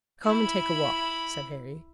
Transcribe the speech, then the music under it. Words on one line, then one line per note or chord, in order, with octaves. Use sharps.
"Come and take a walk," said Harry.
E4 B5